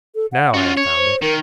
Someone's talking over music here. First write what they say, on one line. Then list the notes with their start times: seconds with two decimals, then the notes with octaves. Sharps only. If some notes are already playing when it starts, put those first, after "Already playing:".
'Now I have found it.
0.15 A4
0.32 F#5
0.54 C#4 F4 F#4
0.77 C#5
0.97 C5
1.22 D#3 A#4